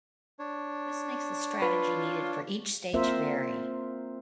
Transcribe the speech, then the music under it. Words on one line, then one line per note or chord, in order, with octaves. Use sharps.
This makes the strategy needed for each stage vary.
D4 C#5
F4 B4
A#3 C4 F4 A#4 C5 E5